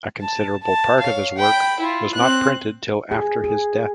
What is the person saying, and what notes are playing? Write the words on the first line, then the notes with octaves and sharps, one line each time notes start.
A considerable part of his work was not printed till after his death.
A5
A5
C#5 F5
G5 B5
E4 F4
C4 F#6
G#4
G#4